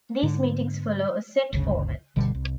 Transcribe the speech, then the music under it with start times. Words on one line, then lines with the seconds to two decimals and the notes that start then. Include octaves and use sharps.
These meetings follow a set format.
0.23 G#2 D3
1.53 G1 D2 C#3
2.16 G1 B2 D3 G3
2.35 C2